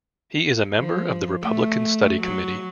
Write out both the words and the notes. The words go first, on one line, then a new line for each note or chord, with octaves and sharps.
He is a member of the Republican Study Committee.
F3
A3
F#3